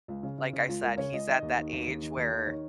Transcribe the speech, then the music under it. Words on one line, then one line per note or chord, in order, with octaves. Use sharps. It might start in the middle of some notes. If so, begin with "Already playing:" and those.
like I said, he's at that age where
C#2
C#3
C#3
C#3
C#2 F4
C#2 A#4
C#3 C#5
C#2 D#5
D#3 D#5
D#2
D#3
D#2
D#2
D#3
D#2
D#3
D#3 C#5